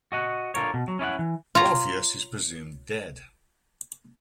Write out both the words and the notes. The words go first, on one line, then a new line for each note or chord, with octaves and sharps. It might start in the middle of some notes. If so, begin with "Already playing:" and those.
Orpheus is presumed dead.
F#4 D#5 F#5
D3 F4 A#4 C#5
B2
F#3
C#4 E4 D5 F#5
E3
F4 C#5 A#5